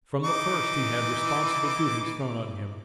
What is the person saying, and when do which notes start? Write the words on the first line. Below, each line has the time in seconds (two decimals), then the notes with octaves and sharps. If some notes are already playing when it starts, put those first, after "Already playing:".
From the first he had responsible duties thrown on him.
0.24 E3 D#4 D6